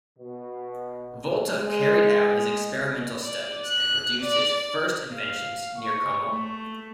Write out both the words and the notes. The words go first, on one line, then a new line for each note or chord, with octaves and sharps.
Volta carried out his experimental studies and produced his first inventions near Como.
B2
G#3
D5
F#6
D5
F5
C#6
A3